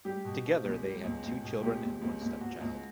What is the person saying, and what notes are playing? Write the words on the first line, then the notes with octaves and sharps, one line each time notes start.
Together they had two children and one step child.
G3 G4
B2
B2
C#2
G3
C#2
C#2
B2
C#2 G4
C#2
C#2
C#2
C#2 F#4
C#2